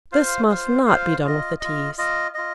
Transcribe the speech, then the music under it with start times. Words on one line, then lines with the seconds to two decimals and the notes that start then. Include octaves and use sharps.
This must not be done with the Teas.
0.12 F4 C5 F5
0.49 F4 C5 F5
0.86 F4 C5 F5
1.24 F4 D#5
1.60 F4 D#5
1.98 F4 D#5
2.34 F4 D#5